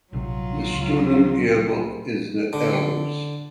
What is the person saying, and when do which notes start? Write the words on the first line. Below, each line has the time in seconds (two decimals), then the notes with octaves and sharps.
The student yearbook is "The Elms".
0.13 A#1 C3 F#3 F4
0.73 C#2
2.53 D3